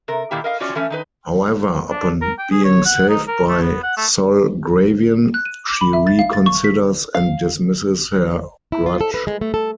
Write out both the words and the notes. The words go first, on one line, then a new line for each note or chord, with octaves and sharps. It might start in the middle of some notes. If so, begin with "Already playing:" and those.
However, upon being saved by Sol Gravion, she reconsiders and dismisses her grudge.
C3 A#4
A#2 D#3 A#3 E4 G4
A#4 D#5 F5
C#4 F4 F#4 C#5 D5
E3 A3 C#4
D#3 D#4 B4
D4
A#4
G5
G#4
C#5
F#5
D#4
A#4
A3
B3
F#5
A3
F#6
D#7
D6
B5
E5
A6
F5
A6
C#6
B6
F5
E4
F4
A4
B4
G#3
A3
A4